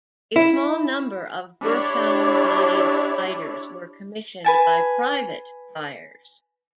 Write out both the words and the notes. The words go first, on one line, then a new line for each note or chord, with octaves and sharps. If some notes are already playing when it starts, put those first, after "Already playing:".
A small number of Bertone bodied spiders were commissioned by private buyers.
E4
D4 E4 G4 C#5 D5
B4 G#5 A5